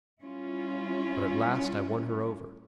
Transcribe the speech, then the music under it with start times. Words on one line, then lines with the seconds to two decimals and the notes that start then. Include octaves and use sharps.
But at last I won her over.
0.22 G3 C#4 E4 F4